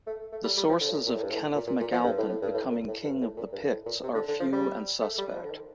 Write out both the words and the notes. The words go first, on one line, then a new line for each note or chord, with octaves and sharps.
The sources of Kenneth MacAlpin becoming king of the Picts are few and suspect.
A3
A3
G3
G3
F3
D3
A2
A#2
A#2
A2
G2
A2
A#2
A#2
A#2
F3
G2
A2
A2
G2
A2
A#2
A2
G2
A2
A#2
G2
A2
A#2
C3
D3
D3
F3
G3
A3
G3
F3
D3
D#3